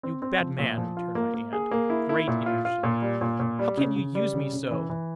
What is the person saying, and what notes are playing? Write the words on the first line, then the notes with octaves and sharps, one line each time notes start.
'You bad man,' returned my aunt, with great emotion; 'how can you use me so?
C4
C4
F3
A#2
F3
F4
A#3
A#3
G#4
A#3
E4
E4
A#2
F4
F4
A#2
G3
A#2
A#2
G3
C#3
C#3
G3
C#3
C#3
E3
E3